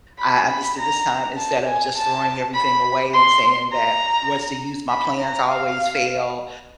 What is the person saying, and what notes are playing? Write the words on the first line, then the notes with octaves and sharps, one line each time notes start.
I I missed it this time," instead of just throwing everything away and saying that, "What's the use? My plans always fail.
B5
B5
A#5
A5
G#5
A5
B5
C6
A#5
B5
A#5
F5